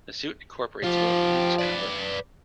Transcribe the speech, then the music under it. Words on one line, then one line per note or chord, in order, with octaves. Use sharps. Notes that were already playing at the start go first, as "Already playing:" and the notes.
The suit incorporates both boots and hood.
F3 F4 G4
B4 D5